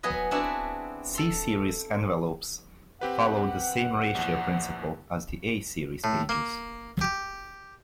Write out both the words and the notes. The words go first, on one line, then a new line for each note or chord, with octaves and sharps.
C series envelopes follow the same ratio principle as the A series pages.
F#3 B3 G#4 B4 D#5
B3 C4 D4 E4 F#4
A4 C6
C4 G4 B4 F#5
A#1 E2
A2
A#3
G4